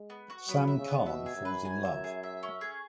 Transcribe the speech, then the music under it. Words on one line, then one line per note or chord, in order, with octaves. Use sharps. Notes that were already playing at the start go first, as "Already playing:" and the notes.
Sam Carne falls in love.
Already playing: G#3
B3
F#4
F#3 B3
E5
C#3
B3
B2 E5
G#4
F#2
B4
G#5
E5
G#4
E5
C#4
G#4